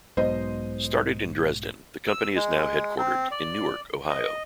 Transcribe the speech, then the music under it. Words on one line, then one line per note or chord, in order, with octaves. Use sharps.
Started in Dresden, the company is now headquartered in Newark, Ohio.
B1 G#2 B2 C5 D#5
E6
G#3
C4
D5
D#5